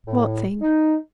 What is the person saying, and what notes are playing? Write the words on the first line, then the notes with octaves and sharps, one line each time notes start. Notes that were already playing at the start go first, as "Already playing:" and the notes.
"What thing?"
A2
D#4